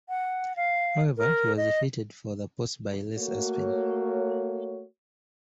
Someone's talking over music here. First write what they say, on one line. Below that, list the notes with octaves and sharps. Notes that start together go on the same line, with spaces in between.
However, he was defeated for the post by Les Aspin.
F#5
F5
A#4
D#5
A3 A#3 F#4 C#5